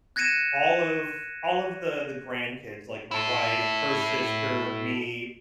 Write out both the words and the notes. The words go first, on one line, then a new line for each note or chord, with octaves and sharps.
all of all of the the grandkids, like, my wife, her sister, me,
F#6 G#6 A#6 C#7 D#7 E7
E4 A4